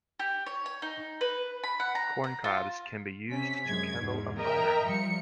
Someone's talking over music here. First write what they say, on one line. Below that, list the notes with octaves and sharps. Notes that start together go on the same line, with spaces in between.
Corn cobs can be used to kindle a fire.
G4
C#5
C#5
D#4
B4
B5
F#5
A#5
A#5
F4
C3 C#4 B6
F#2 G#3 G#6
E2 G#2
A#4 D#5 E5 G5 A#5
F3 G3 C#7